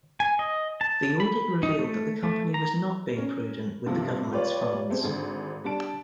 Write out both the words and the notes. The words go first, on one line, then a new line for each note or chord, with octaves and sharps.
The audit revealed that the company was not being prudent with the government's funds.
G#5
D#5
A5
B5
D#4
A3
A3
A#5
C#4 A#4
G2 C3 F3 A#3
F4 G4 B4 C#5 D5
G3 A3 C4 G#4
G#1 D3 G#4
G3 D4 A5 D7